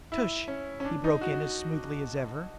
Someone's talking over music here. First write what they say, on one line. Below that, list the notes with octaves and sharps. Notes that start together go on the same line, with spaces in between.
"Tush," he broke in as smoothly as ever.
E4
C#4
C#4
D4
D#4
F#4